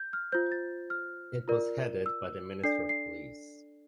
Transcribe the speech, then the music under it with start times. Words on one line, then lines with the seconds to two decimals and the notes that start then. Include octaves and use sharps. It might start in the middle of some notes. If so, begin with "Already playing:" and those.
It was headed by the Minister of Police.
Already playing: G6
0.13 F6
0.32 F4 C5 G6
0.52 A6
0.90 F6
1.48 F4 A#4 D5
2.06 E6
2.63 D4 A4 D5 C7
2.89 C7